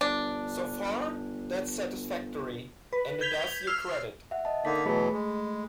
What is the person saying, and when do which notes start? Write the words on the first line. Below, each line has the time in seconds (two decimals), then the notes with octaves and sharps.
So far that's satisfactory, and it does you credit.
0.01 G1 D4
2.93 B4
3.21 G6 G#6 B6 F7 G7
3.67 E6 F6 C7
4.31 E5 F#5
4.45 D#5 A5
4.65 D3 A#3 D#4 A5 B6
4.85 B2 E3 F#3 A3 G#4 B5
5.13 G#3